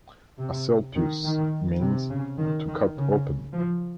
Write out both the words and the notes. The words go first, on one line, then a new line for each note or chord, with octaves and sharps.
Asclepius means "to cut open".
C3
D#3
D#3
C3
C#3
D#3
D#3
C#3
F3